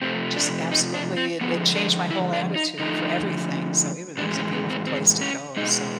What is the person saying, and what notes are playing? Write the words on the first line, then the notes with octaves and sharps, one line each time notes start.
just absolutely, it it changed my whole attitude for everything, so, it was it was a beautiful place to go. So,
C3 F3 A3 C4
D4
D#4
D4
C4
D3 F3 G#3 B3
D4
E4
D4
D#4
D3 F3 A3 D#4
A2 E3 G#3 D4
C#4
B3
C4
C4
C#4
B2 G#3 D#4